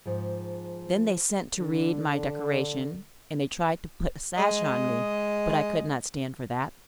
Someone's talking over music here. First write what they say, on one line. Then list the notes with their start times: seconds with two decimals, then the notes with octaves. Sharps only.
Then they sent to Reid my decoration, and they tried to put a sash on me, but I could not stand for that.
0.06 G#2 F3 G#3
1.58 D3 D4
4.37 G#3 D#5